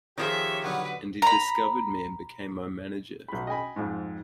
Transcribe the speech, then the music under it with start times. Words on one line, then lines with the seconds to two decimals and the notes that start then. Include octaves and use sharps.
And he discovered me and became my manager.
0.18 D#3 F3 G4 G#4 C#5 E5
0.64 D3 F#3 B3 B4
1.22 A#5 B5
3.28 B1 B5
3.47 D#5 G5 G#5 B5
3.76 F2 G#2